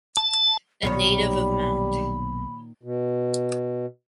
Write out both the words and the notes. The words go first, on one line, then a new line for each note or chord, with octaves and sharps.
A native of Mt.
A5
B1 A#2 D#3 G3 C#5 B5
B2